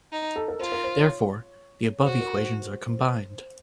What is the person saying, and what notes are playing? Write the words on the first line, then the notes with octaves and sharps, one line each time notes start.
Therefore, the above equations are combined.
D#4
A4
A#4
F4 C5
A#4
C5
C#5
F#4 C5
A#4
C5